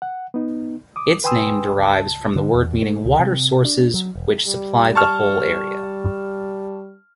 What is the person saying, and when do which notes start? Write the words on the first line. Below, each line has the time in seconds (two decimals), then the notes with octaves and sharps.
Its name derives from the word meaning water sources which supplied the whole area.
0.02 F#5
0.34 B3 D#4
0.96 D6 D#6
1.24 B4 G5 G#5 C6 D#6 E6
1.78 C#2 A5
2.36 D3
2.54 E2
2.82 A3
3.05 C#2
3.19 C3
3.65 D4
3.94 F#3
4.15 E1
4.47 G3
4.95 A5 C#6 F6